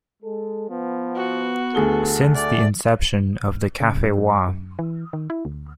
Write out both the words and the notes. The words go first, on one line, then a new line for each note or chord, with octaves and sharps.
Since the inception of the Cafe Wha?
G#3 A4
F3 B3
F#4
D2 G#4 A4 G7
A3 D5
C#3
G2
F#2
F#2
E3
D#3
E4
D2